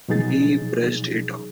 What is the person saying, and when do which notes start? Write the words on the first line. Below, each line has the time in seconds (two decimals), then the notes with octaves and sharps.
He brushed it off.
0.08 B2 F3 F#3 D#4 G#4 A6